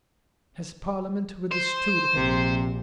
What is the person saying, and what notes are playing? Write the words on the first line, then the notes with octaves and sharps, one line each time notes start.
His Parliament withstood him.
C5
A#1 C3